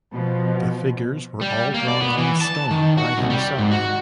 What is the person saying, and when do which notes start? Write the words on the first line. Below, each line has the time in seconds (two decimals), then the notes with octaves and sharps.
The figures were all drawn on stone by himself.
0.11 B2 F3
1.41 G3
1.74 A#3
1.88 D5
2.01 B3
2.18 E3
2.41 A5
2.71 D#3
2.98 F#4
3.18 C2
3.30 G3
3.59 G#2
3.71 F#4